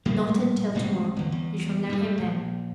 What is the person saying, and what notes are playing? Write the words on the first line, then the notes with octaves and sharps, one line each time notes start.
"Not until to-morrow--you shall know him then."
A#1 A2 G3 A#3
E1 A2 G#3 C4
G1 E2
E2
G2 G3
A#1